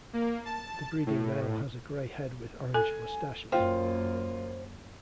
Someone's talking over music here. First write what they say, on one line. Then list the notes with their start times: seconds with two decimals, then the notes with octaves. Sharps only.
The breeding male has a grey head with orange moustaches.
0.13 A#3
0.45 A5
1.06 A2
2.74 A4 G#5
3.52 F#2 A#3 F4 C5 G5